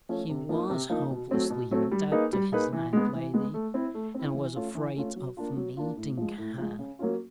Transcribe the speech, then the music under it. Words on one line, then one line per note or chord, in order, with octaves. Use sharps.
He was hopelessly in debt to his landlady, and was afraid of meeting her.
F3 A3 C#4
C3
F3 A#3 D#4
C3
F3 A#3 D#4
B2
F#3 A3 C4
B2
F#3 A3 C4
G3
A#3 D#4 G#4 B4
G3
A#3 D#4 G#4 B4
E3
G#3 B3
E3
G#3 B3
A3
C4 E4
A3
C4 E4
E3
A3 C#4 F4
E3
A3 C#4 F4
F#3
A#3 D4 F4
F#3
A#3 D4 F4
A2
F3 G#3
A2
F3 G#3
C#3
F#3 A#3 C#4 F4